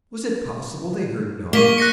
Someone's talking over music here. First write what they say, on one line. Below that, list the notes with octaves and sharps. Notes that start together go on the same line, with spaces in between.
Was it possible they heard not?
A#3 C#6 B6 G7
F#6 A#6 C#7